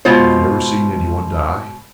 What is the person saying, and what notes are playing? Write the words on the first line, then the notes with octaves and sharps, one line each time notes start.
"Have you never seen any one die?"
B2 G#3 F4 C5